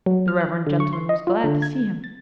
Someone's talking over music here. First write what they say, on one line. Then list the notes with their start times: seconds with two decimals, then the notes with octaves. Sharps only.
The reverend gentleman was glad to see him.
0.06 F#3
0.28 F6
0.40 F#6
0.67 D3
0.80 C#6
0.93 C6
1.09 D#5
1.27 F4
1.44 D3
1.62 G#6
2.04 A6